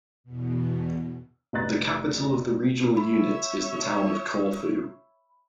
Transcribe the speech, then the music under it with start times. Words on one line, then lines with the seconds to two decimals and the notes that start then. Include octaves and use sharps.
The capital of the regional unit is the town of Corfu.
0.24 E2 B2
1.53 F1 B4 D#5 A#5 F#6 A6
2.97 C#5 E5 B5